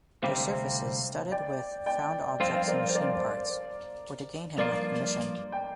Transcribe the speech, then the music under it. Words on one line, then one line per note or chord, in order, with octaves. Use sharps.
Their surfaces, studded with found objects and machine parts, were to gain him recognition.
D2 C3 G3 C4 C5 F5
D5 G5
D5 G5
G2 F3 C4 F4 C5 F5
F5
A#4 D5
C5
A#4 D5
G2 F3 A#3 F4 A#4 D5
G5